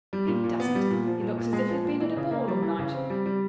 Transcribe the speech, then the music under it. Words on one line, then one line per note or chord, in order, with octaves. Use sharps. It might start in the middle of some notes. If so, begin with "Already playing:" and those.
He doesn't; he looks as if he'd been at a ball all night.
G3
A#2
A#2
B3
G3
A#2
F3
A#2
A#2
G#3
F3
A#2
E3
C#3
A#3
G3
E3
C#3
C4
G3
G3